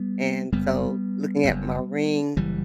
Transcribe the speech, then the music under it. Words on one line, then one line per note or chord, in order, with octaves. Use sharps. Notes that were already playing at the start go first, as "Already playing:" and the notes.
and so, looking at my ring
Already playing: G3 B3
F#1 F#2 G3 B3
F#1 F#2
F#1 E3 G3